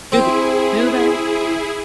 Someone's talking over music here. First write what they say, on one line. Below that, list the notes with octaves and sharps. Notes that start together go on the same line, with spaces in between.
Is it Do they?
C4 E4 G#4